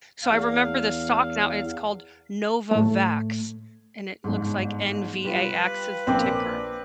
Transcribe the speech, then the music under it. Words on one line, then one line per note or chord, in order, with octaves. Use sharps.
so I remember the stock now, it's called Novavax, and it looks like N-V-A-X is the ticker,
E2 F5
A2 A3
G1 G#2
G3 F4 B4
A#1 A#3 C4 D6